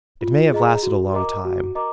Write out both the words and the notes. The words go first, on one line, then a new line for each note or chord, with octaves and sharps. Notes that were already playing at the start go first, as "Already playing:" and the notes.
It may have lasted a long time.
F4
G#4 D#5 A#5
F#4
A#4 D#5 A#5 D6
F#4
A#4 D#5 A#5 D6